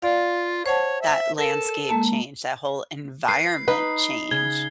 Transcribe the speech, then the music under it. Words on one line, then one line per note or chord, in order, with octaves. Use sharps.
that landscape change, that whole environment change,
F4 D5 F5
C5 C#5 F#5 A5
E5
A4 A#4
G#3 A#3 A5
B4 C7
D#4 B4
C#3 G#6 G7